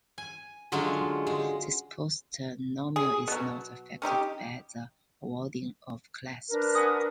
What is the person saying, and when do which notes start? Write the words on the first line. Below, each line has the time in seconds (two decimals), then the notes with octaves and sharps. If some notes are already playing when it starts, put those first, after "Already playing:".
This post-nominal is not affected by the awarding of clasps.
0.18 G#5
0.72 D3 F#3 G#3 C#4 F4
1.27 G#3
2.96 G#4
3.28 B2 F#3
4.02 C#4 D#4 E4 G4
6.50 D4 A#4 B4
6.75 F#4 G#5 D#6